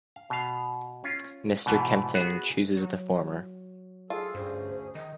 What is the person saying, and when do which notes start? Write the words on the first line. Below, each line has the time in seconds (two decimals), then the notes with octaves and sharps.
Mr. Kempton chooses the former.
0.16 F5
0.30 B2 F5
1.04 C#4 F4
1.66 G#2 B2 E3 A3
2.15 B3 F#4 G#4
2.77 F#3
4.10 F4 G#4 A4
4.35 D2 G2 C#4 G#4 C5
4.95 D#3 D#5